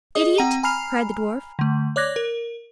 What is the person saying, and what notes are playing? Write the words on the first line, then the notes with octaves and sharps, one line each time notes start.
"Idiot!" cried the dwarf.
G#4 D#5 D#6
C4 F#5 G5 A#5 D#7
G#5 A#5 B5 F6 C7 F7
D3 A3
C#5 D5 D6 F#6 G#6 A#6
A#4